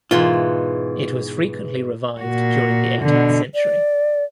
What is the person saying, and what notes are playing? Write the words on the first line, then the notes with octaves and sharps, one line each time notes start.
It was frequently revived during the eighteenth century.
G#2 B2 E3 F4
A#2 F#4
B2 D3
D5